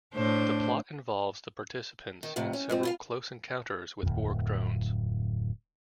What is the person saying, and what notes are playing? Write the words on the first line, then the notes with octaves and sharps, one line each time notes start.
The plot involves the participants in several close encounters with Borg drones.
A2 D4 C5
D#3
F2 A2 C3
C#4
G#2 F3 C4
E4 F4 F5
D1 F2